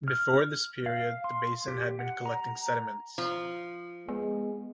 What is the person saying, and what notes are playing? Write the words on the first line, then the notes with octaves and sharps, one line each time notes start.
Before this period the basin had been collecting sediments.
F6
F5
C6
G4
F#5
A#5
F3
G#3 B3